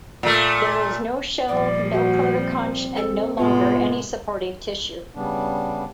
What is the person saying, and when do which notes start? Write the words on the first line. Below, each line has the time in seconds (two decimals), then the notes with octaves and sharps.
There is no shell, no protoconch and no longer any supporting tissue.
0.23 A#2 A3
1.48 A#2 F3 G3 D5
1.93 F#4 C5
2.38 C4
2.96 A4
3.38 A2 C3 G#3 B3 F4
5.15 C#3 G3 B3 D4